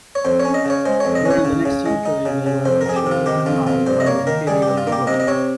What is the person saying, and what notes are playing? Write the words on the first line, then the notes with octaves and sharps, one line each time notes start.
During the next century, they were officially recognized by the imperial government.
C#5
F2 C5
C#5
C#4
D#5
C#3 C#5
G#3 C5
F2 C#5
D#5
C#4
C#5
C#3
C#3
G#3
D#4
C#3
C#3
F2 C5
A#4
F2 G#4
G4
C3
F4
D#3 G4
F2 F4
F2 F4
G2 C5
D#5
A#3 C#5
D#3 A#4
G3 G#4
G4
G2
F4
A#3
G4
C3 D#5
D#5
C3 C#5